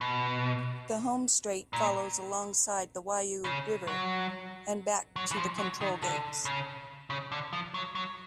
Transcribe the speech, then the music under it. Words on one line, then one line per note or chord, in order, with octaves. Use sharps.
The home straight follows alongside the Waiau River and back to the Control Gates.
B2
A#2
C#3
F#3
F#3
E3
F3
F#3
D#3
D3
C#3
C#3
D3
F3
F#3
F#3